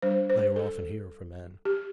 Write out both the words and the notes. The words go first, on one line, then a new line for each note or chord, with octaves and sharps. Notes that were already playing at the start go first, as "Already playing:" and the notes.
They are often here for men.'
G3 D4 C5
C5
A4
G4